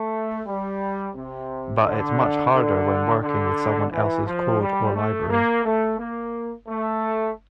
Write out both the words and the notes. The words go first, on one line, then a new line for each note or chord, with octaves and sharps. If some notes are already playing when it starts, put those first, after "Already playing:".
But it's much harder when working with someone else's code or library.
Already playing: A3
G3
C3
D3
D3
D3
E3
F3
G3
A3
A#3
A3
A#3
A3